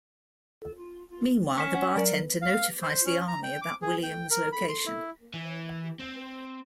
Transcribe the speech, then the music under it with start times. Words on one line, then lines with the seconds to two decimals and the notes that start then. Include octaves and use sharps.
Meanwhile, the bartender notifies the army about Williams' location.
1.58 C#4 F6 B6 E7
1.74 F#5
1.96 F#3 A#4 D5
2.42 F5
2.82 C5
3.05 C#4
3.28 A#5
3.43 G5
3.62 D6
3.82 G#4
4.03 G5
4.31 A#4
4.52 B5
4.69 C6
4.86 E4
5.34 E3
5.99 C4